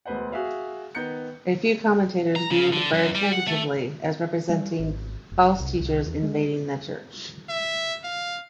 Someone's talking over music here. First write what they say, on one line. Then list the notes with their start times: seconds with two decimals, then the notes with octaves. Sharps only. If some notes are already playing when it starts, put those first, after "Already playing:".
A few commentators view the birds negatively, as representing false teachers invading the church.
0.05 E1 D2 B4 C5 F#5
0.32 F#4 G#4 E5 F5
0.95 D#3 B3 A#5 G6 C#7
2.36 A#5
2.51 C#3
2.73 D3
2.93 F#2
3.15 G3
3.32 F#5
3.47 A3
4.49 G3
4.80 G#1
5.32 F1
5.60 C2
5.80 C2
6.06 E2
6.22 G#3
7.49 E5
8.04 F5